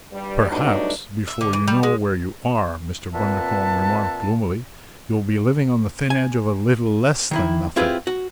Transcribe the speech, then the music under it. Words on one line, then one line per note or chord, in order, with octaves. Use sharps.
"Perhaps, before you know where you are," Mr. Bundercombe remarked gloomily, "you'll be living on the thin edge of a little less than nothing!"
G2 G3
F#3 G3 A3 B3 D4 D#4
E5
D3
E3
G3
G#3
A#2 C4 B4 E5 F#5 A5
G#5
D#3 E3 E4
C4 E4 F4 G4 G#4 B4
F#4